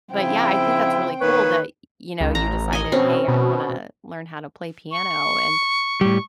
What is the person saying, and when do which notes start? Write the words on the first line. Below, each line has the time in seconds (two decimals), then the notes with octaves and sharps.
but, yeah, I think that's really cool that, y you know, you decided, "Hey, I wanna learn how to play piano," and
0.14 C#3 F3 C4 E4 G5
1.21 D#3 A#3 B4 C#5
2.20 C#2
2.35 A1 A#5
2.73 D#5 G#5
2.92 B2 C4 C#4
3.28 B2
4.91 C#6
6.01 A2 G3